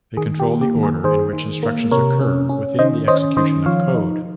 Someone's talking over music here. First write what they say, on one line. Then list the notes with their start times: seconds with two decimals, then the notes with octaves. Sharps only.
They control the order in which instructions occur within the execution of code.
0.17 D#3 G#4
0.40 G4
0.47 A#3
0.61 G4
0.75 D#3
0.83 G#4
1.04 D#3 G#4 C5
1.33 D#3
1.63 A#3
1.91 C3 A#4 C#5
2.21 C#4
2.49 C#4
2.79 D#3 C5 D#5
3.08 C#4 C5 D#5
3.37 D#3 C5 D#5
3.66 F3 C#5 F5
3.95 D#4